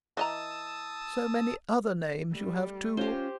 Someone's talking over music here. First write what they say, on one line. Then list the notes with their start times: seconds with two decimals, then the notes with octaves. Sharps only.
So many other names you have, too.
0.17 E3 D#5 A5 A#5 D#6 E6
2.32 G3 A3
2.97 C#4 F4 G4 C5 D#5